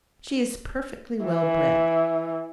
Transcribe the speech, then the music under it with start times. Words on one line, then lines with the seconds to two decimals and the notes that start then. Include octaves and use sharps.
She is perfectly well-bred.
1.25 E3